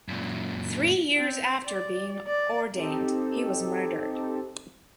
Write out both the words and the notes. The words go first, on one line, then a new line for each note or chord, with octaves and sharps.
Three years after being ordained, he was murdered.
F#2 A#2
C4
D5
D5
C4 D#4 G4 A4